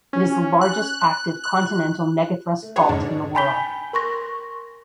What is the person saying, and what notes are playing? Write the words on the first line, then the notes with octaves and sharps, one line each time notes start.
It is the largest active continental megathrust fault in the world.
C#4
F#6
F#6
A3
D4 F#4 G#4 B4 C#5
G#2 C#3 D4 D#4
G5 G#5 B5 G6 B6 G7
A#4 C6 C#6 A#6